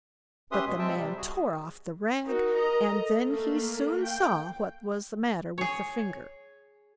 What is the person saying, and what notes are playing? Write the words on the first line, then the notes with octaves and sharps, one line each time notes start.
But the man tore off the rag, and then he soon saw what was the matter with the finger.
C#4 G4 B4 E5 C6 D#6
E2 B2 G#3
G#3 C4 E5 G5 A5
C3 G3
F#4 G#4
D#4 F#4 A#4
D#5 A#5
A4
A3 A#3
F5 G5
G#4 C#5